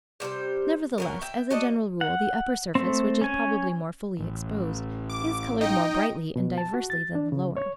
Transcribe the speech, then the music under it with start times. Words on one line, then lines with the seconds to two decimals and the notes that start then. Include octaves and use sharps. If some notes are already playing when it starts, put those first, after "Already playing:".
Nevertheless, as a general rule, the upper surface, which is probably more fully exposed, is coloured more brightly and diversely than the lower.
0.20 C3 G3 A#4 C5
0.98 B2 F#3 A#4
1.22 E5 G5
1.51 F#4 A4 D5 D#5
2.01 F#5
2.75 A3 C4
3.21 C#4 G#5
4.19 A1
5.09 D6
5.61 D#4 D#5 G5
6.36 B2
6.58 A5
6.74 F#4
6.90 A6
7.15 D4
7.32 C#3
7.57 C#5